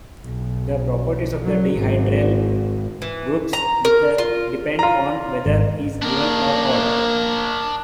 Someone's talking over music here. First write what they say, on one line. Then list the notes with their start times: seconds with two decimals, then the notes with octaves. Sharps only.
The properties of the dihedral groups with depend on whether is even or odd.
0.25 B1
1.43 F#3
1.74 G#1
3.02 E3
3.53 A#5
3.85 A#4
4.18 F4
4.79 F4 A#5
5.46 G#1
6.02 A#3 D4 A#4